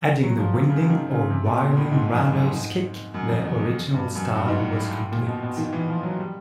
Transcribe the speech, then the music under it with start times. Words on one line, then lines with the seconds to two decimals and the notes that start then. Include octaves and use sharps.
Adding the Winding or Whirling Roundhouse Kick the original style was complete.
0.23 F#3
0.39 F3
0.54 C3
0.69 C#3
0.90 D#3
1.10 C#3
1.30 C3
1.46 B2
1.61 A#2
1.77 A2
1.92 G#2
2.12 F2
2.32 F#2
2.52 G#2
3.14 F#2
3.29 F2
3.44 E2
3.59 F2
3.94 G2
4.15 F#2
4.36 G2
4.48 G#2
4.56 A2
4.76 A2
4.96 A2
5.12 A#2
5.27 B2
5.43 B2
5.57 D#3
5.73 E3
5.89 F3
6.03 F#3
6.18 G3